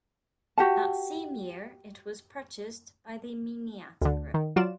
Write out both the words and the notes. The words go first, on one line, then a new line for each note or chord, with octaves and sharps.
That same year it was purchased by the Eminata Group.
F#4 G4 F#5 A5
D2 D3
D#3
F#3 F4 F#4 D5 E7